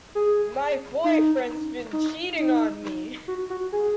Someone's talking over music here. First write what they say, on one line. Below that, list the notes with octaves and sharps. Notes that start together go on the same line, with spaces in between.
My boyfriend's been cheating on me.
G#4
D#4
D#4
D#4
F#4
F#4
G#4